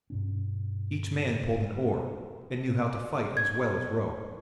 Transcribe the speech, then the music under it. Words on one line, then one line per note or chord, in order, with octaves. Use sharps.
Each man pulled an oar, and knew how to fight as well as row.
G2 B2 C#4
G#6